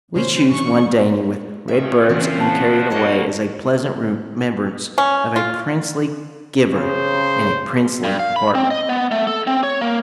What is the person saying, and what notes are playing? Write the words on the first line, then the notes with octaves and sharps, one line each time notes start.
We choose one dainty with red birds, and carry it away as a pleasant remembrance of a princely giver, in a princely apartment.
C3 D#3 G#3 C#4 C5
A2 E3 C#6
D#3 F3 C#4 E5
A2 C#3 E3 F3 C4 F#4
A5
G3 A#3 F#4 C5 C#5 D#5
C#4
F4
C#3 C5
G2
F5
B5
C4
D#5
B3
A3
A4
C4
C#5
A#3